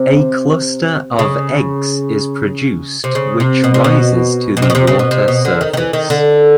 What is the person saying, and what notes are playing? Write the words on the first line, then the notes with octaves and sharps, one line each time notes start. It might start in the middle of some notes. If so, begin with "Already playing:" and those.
A cluster of eggs is produced which rises to the water surface.
Already playing: C3
C#3
C3
C#3
C3
B2
C3
B2
B2
C3
B2
C3
C#3
B2
C3
B2
D3
D#3
D#3
E3
D#3
D3